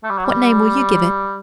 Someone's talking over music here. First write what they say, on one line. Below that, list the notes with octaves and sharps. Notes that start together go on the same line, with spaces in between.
What name will you give it?'
A3
G3
F#3
G3